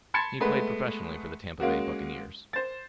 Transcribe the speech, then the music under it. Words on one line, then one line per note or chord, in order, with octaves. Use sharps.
He played professionally for the Tampa Bay Buccaneers.
A5 B5 C6 G#6 A6 C#7
G#3 A3 B3 B4
G#3 A#3 C#4 F#4
C5 A6